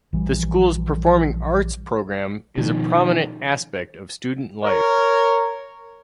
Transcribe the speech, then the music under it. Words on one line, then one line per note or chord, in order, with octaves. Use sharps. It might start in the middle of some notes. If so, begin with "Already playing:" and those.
The school's performing arts program is a prominent aspect of student life.
A#1 E3 G3
B2 D#3 F3
A#4 C#5